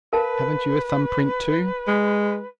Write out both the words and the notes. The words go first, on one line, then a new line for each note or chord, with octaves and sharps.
"Haven't you a thumb-print, too?"
A#4 B4 F5 A5
G#3